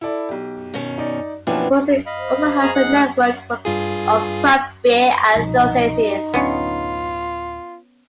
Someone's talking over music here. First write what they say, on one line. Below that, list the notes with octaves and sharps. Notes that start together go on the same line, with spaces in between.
Muncie also has a network of craft beer enthusiasts.
E4 A4 D5
B1 G4
B2 D#3 C#4
D#4 D5
B2 E3 F3 A#3 C#4 D4 G4
D#5 F5 B5
C5
G#4 A#5
D#4 G#4 F#5
A3
G2 F4 G#4
C2 B2 F3 D#4
D1 B3 C#4 D4 F4